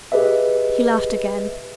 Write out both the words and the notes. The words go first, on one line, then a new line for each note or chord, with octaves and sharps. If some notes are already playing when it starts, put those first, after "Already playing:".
He laughed again.
G4 G#4 B4 D#5 E5